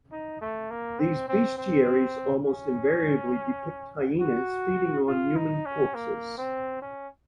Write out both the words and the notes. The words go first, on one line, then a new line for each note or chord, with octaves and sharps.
These bestiaries almost invariably depict hyenas feeding on human corpses.
D#4
A3
A#3
C4
C4
C4
C#4
F#4
F4
D#4
C#4
A#3
C4
C#4